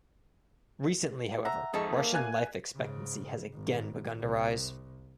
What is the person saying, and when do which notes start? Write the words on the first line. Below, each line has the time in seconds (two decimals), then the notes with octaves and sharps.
Recently however, Russian life expectancy has again begun to rise.
1.45 E5 F#5 A#5
1.74 F2 G#3 D#4 A4 C#6
1.95 A#3
2.14 G#5 F#6 G#6
2.75 G#2 C#3
3.53 G#1
4.18 C2